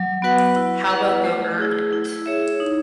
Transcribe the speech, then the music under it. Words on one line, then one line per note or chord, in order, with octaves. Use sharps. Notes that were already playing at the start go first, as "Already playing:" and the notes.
How about go earn it?
Already playing: F#3
B3 F#4 B4 F#5
E4
B4 F#5
A3
E4 G#4
E4
G#4 C#5 E5
D#4